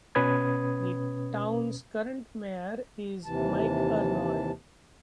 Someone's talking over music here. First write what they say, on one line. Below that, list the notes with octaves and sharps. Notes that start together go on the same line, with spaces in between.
The town's current mayor is Mike Arnold.
B2 C#4 B4 D#6 G#6
D#2 C3 E3 A5